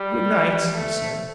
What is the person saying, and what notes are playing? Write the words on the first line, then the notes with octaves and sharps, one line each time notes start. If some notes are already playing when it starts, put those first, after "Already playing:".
"Good night," he said.
Already playing: G3
A3